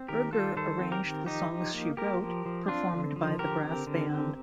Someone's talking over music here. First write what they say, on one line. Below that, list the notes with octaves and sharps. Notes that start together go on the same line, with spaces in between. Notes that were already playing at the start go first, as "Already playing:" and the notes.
Berger arranged the songs she wrote, performed by the brass band.
Already playing: C4
D#3 G4 A#4
G3 F4 A4
D#3 A4 C5
C4
G4 A#4
D#3
F3 D#4 G4
F3
A#3
A#3 G4 A#4
F3
F3
C4 D4 F4
D3
F3
D3 G4 A#4
C4
D3
C4